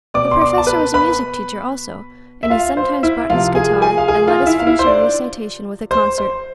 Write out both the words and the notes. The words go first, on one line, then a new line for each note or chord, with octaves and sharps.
The professor was a music-teacher also, and he sometimes brought his guitar, and let us finish our recitation with a concert.
B2 D5 D6
C6
D5 D6
A5
B4 B5
B4 B5
E5
F4 F5
C5
E4 E5
C3 F3 F4 F5
G#4 G#5
G#4 G#5
F5
G#4 G#5
F4 F5
F5
E4 E5
F5
E4 E5
C5
D4 D5
C5
C5